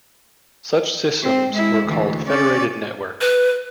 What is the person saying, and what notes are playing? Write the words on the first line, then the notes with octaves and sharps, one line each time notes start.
Such systems were called "federated networks".
C4
G#3 E4
D2 E3
C#4 D5
B4